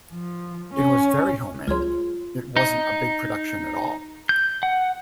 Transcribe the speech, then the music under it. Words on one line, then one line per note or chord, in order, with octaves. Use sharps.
It was very home-made; it wasn't a big production at all.
F3
C#4
C#2 F#3 F4 G#4 C6
D#4
G6
F#5